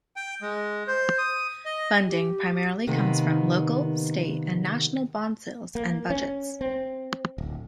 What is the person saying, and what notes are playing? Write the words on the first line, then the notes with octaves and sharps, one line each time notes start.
Funding primarily comes from local, state, and national bond sales and budgets.
G5
G#3
C5
D#6
D#5
G4
C3 D#3 A#3 B3
A#3
C#4
C4
D1